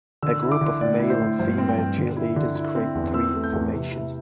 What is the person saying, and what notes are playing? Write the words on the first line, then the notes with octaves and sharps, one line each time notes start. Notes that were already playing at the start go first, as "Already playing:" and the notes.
A group of male and female cheerleaders create three formations.
D3 E6
E4
D6
D3
A2 D5
E4
C5
A2
G2 C5
C4
G5
G2
D3
E4
D3
E4
C4
E2
C4 E6
A3
G6
E2
C3
E4